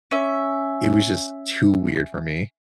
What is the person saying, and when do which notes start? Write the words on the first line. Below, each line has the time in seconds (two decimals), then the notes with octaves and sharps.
it was just too weird for me.
0.11 C#4 E5